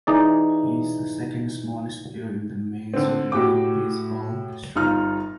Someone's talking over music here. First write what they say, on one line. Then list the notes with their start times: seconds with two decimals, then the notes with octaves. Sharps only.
He is the second-smallest player in major league baseball history.
0.07 E3 D#4 G#4 D5
2.94 D3 C4
3.32 A2 F#4 G4 G5 D6
4.76 G1 D#4 F4 F6